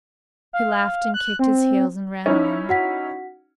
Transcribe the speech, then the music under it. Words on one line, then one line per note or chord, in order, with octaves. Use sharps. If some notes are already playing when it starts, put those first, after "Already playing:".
He laughed and kicked his heels and ran on.
F5
F#6
C4
C#4 D#4 E4
F#4 F#5 B6